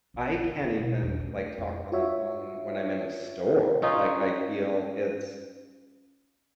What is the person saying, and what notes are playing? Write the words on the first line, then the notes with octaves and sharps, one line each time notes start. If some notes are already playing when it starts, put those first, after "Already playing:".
I can't even, like, talk on the phone when I'm in a store, like, I feel it's
A#1
D2
C4
B2
E2
A3
F2
F4 F#4 C#5 E5
C#4 D#4 F4